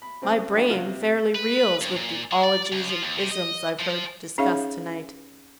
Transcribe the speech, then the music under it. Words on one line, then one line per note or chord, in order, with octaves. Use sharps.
My brain fairly reels with the 'ologies and 'isms I've heard discussed tonight.
B5
C#3 F3 C4
F#3 C4 D4 D#4 G4
C#2 A#3 F4 F#4 F6
C3
B4
G2
A#2
G#3
D5
C#2
F3
D#2
C3
D#5
F3
C#4 D#4 G#4 C#5 E5 F5